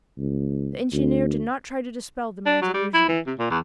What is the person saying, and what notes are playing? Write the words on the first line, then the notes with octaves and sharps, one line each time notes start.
The engineer did not try to dispel the man's illusion.
C#2
D2
D4
F#3
G3
E4
E3
C3
A#2
E2